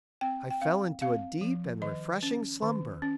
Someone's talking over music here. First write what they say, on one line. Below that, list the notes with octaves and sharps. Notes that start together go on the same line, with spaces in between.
I fell into a deep and refreshing slumber.
C4 G5
G5
C4 F5
C4 F5
F3
D#3 D#5
C#4
D#3
C#4